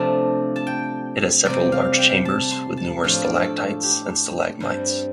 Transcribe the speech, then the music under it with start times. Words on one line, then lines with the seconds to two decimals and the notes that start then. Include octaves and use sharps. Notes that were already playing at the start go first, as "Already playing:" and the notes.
It has several large chambers with numerous stalactites and stalagmites.
Already playing: C3 F3 A3 D4 A5
0.56 A5
0.67 G5
1.45 C3 G3 C4 D5
1.72 F5
1.98 G5
2.25 A5
2.51 C6
2.77 A5
3.04 A2 F3 D4 F5
3.24 D5
3.44 A4
3.83 G4
4.60 G2 G3 C4